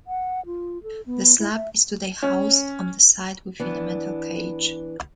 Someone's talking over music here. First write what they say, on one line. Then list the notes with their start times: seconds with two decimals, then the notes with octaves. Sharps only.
The slab is today housed on the site within a metal cage.
0.07 F#5
0.46 F4
0.83 A4
1.06 B3
1.39 E4
1.55 E5
2.23 C#4
3.60 E3 B3 D4